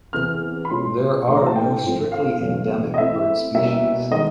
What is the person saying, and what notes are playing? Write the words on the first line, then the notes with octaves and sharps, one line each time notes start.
There are no strictly endemic bird species.
E2 C3 E3 F6
B5
B2 G#3 C#4 F4 C6
A2 E3 A3 D4 C6
A#5
A5
G5
G#2 F3 A3 C4
F5
E2 B2 F#3 A3 C#4
D#5
E3 A3 C4 E4 E5
B2 G3 A#3 C#4 E4 E5
D#3 G#3 B3 D#5